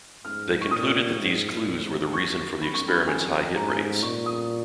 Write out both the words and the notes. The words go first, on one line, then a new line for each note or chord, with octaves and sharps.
They concluded that these clues were the reason for the experiment's high hit rates.
G#2 F6
C#6
A#2 D#6
G#2
A#2
G#2
C#6
F#2 B5
C#6
B5
F2 G#5
G#2 A#5
A#2 C#6
D#6